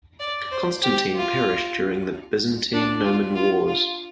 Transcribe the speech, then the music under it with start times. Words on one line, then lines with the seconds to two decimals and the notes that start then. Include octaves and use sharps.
Constantine perished during the Byzantine–Norman wars.
0.20 D5
0.51 C5
0.83 G4
1.14 F4
2.73 D4
3.04 F4
3.35 F4
3.67 F4